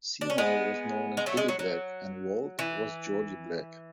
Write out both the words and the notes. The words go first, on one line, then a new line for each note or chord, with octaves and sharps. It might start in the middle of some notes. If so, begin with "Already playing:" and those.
Seymour was known as Billy Black, and Walt was Georgie Black.
D4
C#4
G#3 B3
G#3
F#3 A3
G#3
F#3
F#3
E3